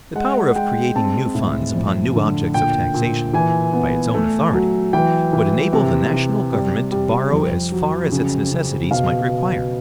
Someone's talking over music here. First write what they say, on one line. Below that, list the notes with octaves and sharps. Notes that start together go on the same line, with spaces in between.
The power of creating new funds upon new objects of taxation, by its own authority, would enable the national government to borrow as far as its necessities might require.
G#3 F#5
F#5
G#3 G5
C4 A5
A2
F2
D3
A#2 G5
A#2
E3 G#5
B3
A3
F#3
E3 G5
E3
C3
C3
G3
G3
F2
F#3
C#3
C#3
B2 F5